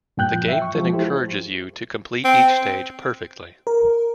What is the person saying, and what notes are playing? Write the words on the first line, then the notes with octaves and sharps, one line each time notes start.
The game then encourages you to complete each stage "perfectly".
G2 A#2 G5 F#6 G6
F3
E5 G5
C#6
F3 G#3
E4 G4 A4 C5
C4
A#4